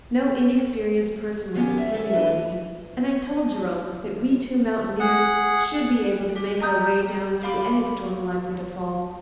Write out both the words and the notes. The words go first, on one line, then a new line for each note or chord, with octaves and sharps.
No inexperienced person was depending on me, and I told Jerome that we two mountaineers should be able to make our way down through any storm likely to fall.
D#3 G3 B3 C#4 G4 A#4
E5
A4 A#4 C#5 E5
D4 B4 D#5
G#4 F#5
G4
A#5 D#6 G6
F4 B5 D6